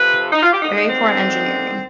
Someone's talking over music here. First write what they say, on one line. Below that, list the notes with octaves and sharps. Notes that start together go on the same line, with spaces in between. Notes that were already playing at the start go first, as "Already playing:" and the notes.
Very poor Engineering.
Already playing: F2 C3 F3 B4
D#4
F4
G4
D#2 D3 G#3 D#4
D#4
C4